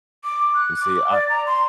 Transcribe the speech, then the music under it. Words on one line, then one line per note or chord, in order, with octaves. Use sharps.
and see I
D6
F#6
D6
D5
A#5
C6